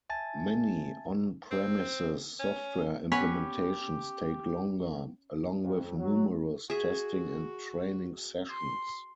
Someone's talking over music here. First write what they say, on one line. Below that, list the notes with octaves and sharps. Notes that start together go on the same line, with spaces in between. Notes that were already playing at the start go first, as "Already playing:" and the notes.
Many on-premises software implementations take longer - along with numerous testing and training sessions.
E5 G#5 A5 A6
C4
C#4
B3 C#4 G4 B4 C#5 F#5
F2
F#3
F#4 G#4 E5
C6